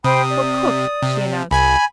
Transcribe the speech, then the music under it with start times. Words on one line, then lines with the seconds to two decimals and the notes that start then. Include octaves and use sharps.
"For cook," she announced.
0.04 C3 C5 G5 B5 D#6
0.31 D5
1.02 C3
1.51 C2 G#5 B5